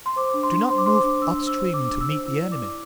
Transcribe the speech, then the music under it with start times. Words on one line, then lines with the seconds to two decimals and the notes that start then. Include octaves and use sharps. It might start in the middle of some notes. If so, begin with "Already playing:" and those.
Do not move up-stream to meet the enemy.
0.06 C6
0.16 C5 D6
0.34 D4
0.43 C6
0.52 D4
0.69 C5 C6
0.78 D6
0.86 C5 C6
0.95 D6
1.04 D4
1.22 D4 E6
1.39 C5
1.47 E6
1.56 C5
1.65 E6
1.74 D4 D6
1.91 D4
2.01 E6
2.08 C5
2.26 E4 E6
2.43 D5
2.52 D6
2.61 E4